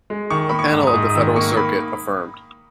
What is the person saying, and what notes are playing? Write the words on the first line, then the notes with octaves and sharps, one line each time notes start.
A panel of the Federal Circuit affirmed.
G#3
D#3 C#6
A#3 B5
C#6
G#2
D#6
G#2
D#6
D#3 E6
A#3 C#6
B5